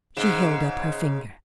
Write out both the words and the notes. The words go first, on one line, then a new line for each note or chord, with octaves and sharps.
She held up her finger.
G#2 C#3